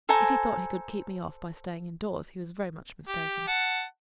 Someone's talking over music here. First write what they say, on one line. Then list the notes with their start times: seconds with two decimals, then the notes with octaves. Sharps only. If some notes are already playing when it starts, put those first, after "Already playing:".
If he thought he could keep me off by staying indoors he was very much mistaken.
0.09 A4 C5 G#5 A#5
3.08 G4
3.48 F#5 A5